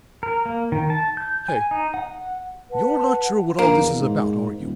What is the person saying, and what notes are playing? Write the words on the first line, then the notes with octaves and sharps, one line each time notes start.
Hey, you're not sure what all this is about, are you?
A#4
A#3
D#3
A5
G6
G#5
D#4
F#5
B4 F#5 A5
A#1 A#3
E2
G#2
D#1